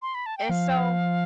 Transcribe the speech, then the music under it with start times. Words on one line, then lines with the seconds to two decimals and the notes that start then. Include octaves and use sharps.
And so
0.02 C6
0.15 B5
0.26 A5
0.38 G5
0.49 F3 F5